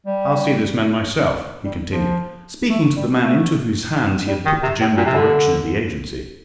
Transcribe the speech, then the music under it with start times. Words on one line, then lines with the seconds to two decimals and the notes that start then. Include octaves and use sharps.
"I'll see this man myself," he continued, speaking to the man into whose hands he had put the general direction of the agency.
0.06 G3
1.64 G3
1.91 F3
2.69 A3
2.96 G3
3.22 A3
4.27 G3
4.45 D#3
4.63 C3
4.80 A2
4.97 A#2
5.06 C3
5.15 D3